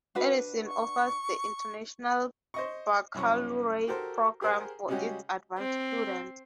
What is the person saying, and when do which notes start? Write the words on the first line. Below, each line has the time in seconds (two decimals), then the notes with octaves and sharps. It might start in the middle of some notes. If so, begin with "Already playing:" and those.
Edison offers the International Baccalaureate program for its advanced students.
0.15 D4 F#4 B4
0.67 C#6
2.54 C5 D#5 C#6
3.14 C2 F#2 C#4 C#6
3.87 F#4 G4 A4 A#4 C5
4.41 G4 G#4 A#4 C5 F#5
4.88 C#3 G3 G#3 C#4 F#4 G4
5.58 C4